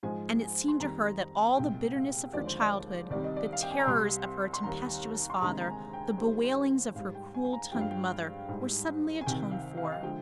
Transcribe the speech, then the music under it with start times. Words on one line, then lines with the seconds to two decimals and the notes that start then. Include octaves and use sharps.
And it seemed to her that all the bitterness of her childhood, the terrors of her tempestuous father, the bewailings of her cruel-tongued mother were suddenly atoned for.
0.03 G#2 F3 G#3 G#5
0.41 G#5
0.68 C6
0.80 F2 D#3 G3 A#5
1.57 C2 A#2 G#3 G5
1.96 F5
2.33 D#2 D3 F3 G#3 D5
2.47 C5
2.61 D5
3.10 C2 C3 D#3 G3 D5
3.24 D#5
3.37 D5
3.53 F5
3.62 G5
3.71 G#5
3.79 A#5
3.87 C2 C3 G3 C6
4.54 C6
4.64 D#2 D#3 G3 A#5
5.30 C6
5.42 D2 C3 D#3 G#3 A#5
5.61 A#5
5.67 G#5
5.93 G5
6.18 D#2 D#3 G3 C5
6.44 C5
6.95 G#2 F5
6.99 G3
7.15 G5
7.34 G#5
7.45 G#5
7.53 A#5
7.72 G2 F3 G#3 G5
7.81 F5
7.91 G5
8.49 G#2 G3
9.21 G#5
9.26 C2 C3 D#3 G5
9.51 F5
9.77 F5
9.85 D#5
9.92 F5
10.03 D3 F3 G#3 G5